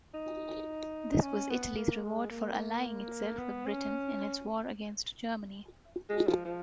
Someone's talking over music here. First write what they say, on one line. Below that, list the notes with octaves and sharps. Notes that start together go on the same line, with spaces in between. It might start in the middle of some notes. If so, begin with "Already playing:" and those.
This was Italy's reward for allying itself with Britain in its war against Germany.
D#4
D#4
C#4
B3
A#3
G#3
A#3
B3
C#4
G#3
F3
F3